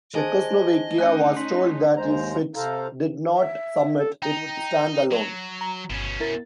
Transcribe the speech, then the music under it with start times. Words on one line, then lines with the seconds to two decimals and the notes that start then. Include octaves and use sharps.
Czechoslovakia was told that if it did not submit, it would stand alone.
0.15 G#4 C5 D#5 G#5 A5 G#6
0.98 A3 C#4 D#4 G#5 F#6 G6 C#7
1.37 C6 B6
1.97 D#2 G#3 C5 A#5
2.56 C3 A4 C5 F5 A#5
3.36 E5
3.99 A4
4.22 D#4 G5 A#5
5.11 F#3
5.61 A#5
5.90 G1 B2 C#4
6.20 E4 A#4 A6